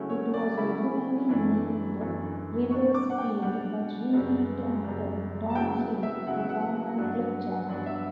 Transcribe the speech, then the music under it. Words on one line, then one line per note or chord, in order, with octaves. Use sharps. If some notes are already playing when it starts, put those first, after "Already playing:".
It was originally named Riversfield but renamed after Don Hill, a former club chairman.
Already playing: C#3 F#3 A3 C#4 E4
C#5
D5
C#3 F#3 A3 C#4 E4 B5
F#2 E3 A3 D4
F#2 E3 A3 D4
B2 G3 D4 C#6
D6
F#5
G5
B2 G3 D4 F#5
F#2 C#3 G3
F#2 C#3 G3
A5
C#3 F#3 B3 E4 G5
E5
C#3 F#3 B3 E4 F#5
E5
F#5
G2 F#3 B3 D4
G2 F#3 B3 D4 F#5
E5